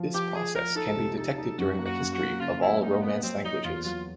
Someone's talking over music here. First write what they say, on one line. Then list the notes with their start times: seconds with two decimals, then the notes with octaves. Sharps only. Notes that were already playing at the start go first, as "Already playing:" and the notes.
This process can be detected during the history of all Romance languages.
Already playing: F3
0.14 F3 G4
0.34 F3 G#4
0.55 F3 A#4
0.75 D#4 A4
0.96 C3
1.17 D#4 A4
1.38 D#4
1.58 F#2 F#4
1.79 A#3
1.86 F#4
2.00 F#2
2.13 F#4
2.20 A#3
2.40 C#3 F4
2.61 F#3 E4
2.82 A#3 D#4
3.02 A#3 B3
3.23 F#3 C4
3.44 F#3 D#4
3.64 E2 F4
3.84 F#3 F4